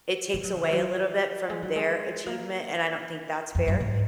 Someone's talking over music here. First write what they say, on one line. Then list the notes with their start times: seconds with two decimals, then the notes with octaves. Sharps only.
It takes away a little bit from their achievement, and I don't think that's fair.
0.34 G#3
0.44 F#3
0.54 C#3
0.63 D#3
0.72 F#3
1.50 G#3
1.62 F#3
1.76 G#3
2.26 A#3
3.04 B2
3.55 F2
3.68 F#2
3.80 G#2